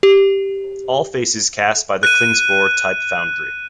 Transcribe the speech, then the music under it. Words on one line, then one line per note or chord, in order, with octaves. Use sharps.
All faces cast by the Klingspor Type Foundry.
G4
F#6 D#7